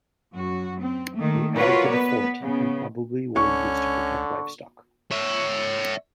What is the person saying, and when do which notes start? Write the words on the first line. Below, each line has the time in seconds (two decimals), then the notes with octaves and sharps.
They added to the fort and probably were used to protect livestock.
0.33 F#2 F#4
0.81 C4
1.15 D#3 A3 A#3
1.56 F4 F#4 A#4 B4 C#5 D5
1.89 B3 B4
2.41 C#3 B3
3.36 C#2 D3 C#4 C#6
5.11 C#5 E5